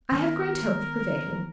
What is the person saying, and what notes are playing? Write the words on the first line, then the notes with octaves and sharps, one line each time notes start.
I have great hope of prevailing.
D#3 B3 A#4